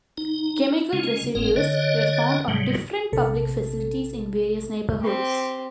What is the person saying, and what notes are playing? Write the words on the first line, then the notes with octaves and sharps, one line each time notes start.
Chemical residues were found on different public facilities in various neighbourhoods.
D#4
C#3 G#3 C#4
F#1 G#2 A#3 C4 A#4
D3 C#5 D#5
G#2 C3 F#3 G3
A#1 C3 A4
C4 G4